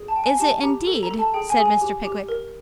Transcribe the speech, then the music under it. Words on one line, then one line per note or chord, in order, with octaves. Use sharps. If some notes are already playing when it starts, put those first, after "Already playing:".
'Is it, indeed?' said Mr. Pickwick.
Already playing: G#4
A5
G5
G#5
G4 A5
G4 A#5
A4
A#5
A4
A5
G#4 G5
G#5
G#4
G#5
G4
G4
A#4